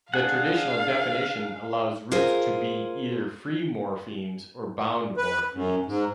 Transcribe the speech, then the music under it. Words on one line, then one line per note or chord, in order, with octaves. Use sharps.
The traditional definition allows roots to be either free morphemes or bound morphemes.
D4 G#4 F5 F#5
F4 G#4 A#4 C5
B4
F#2
G#2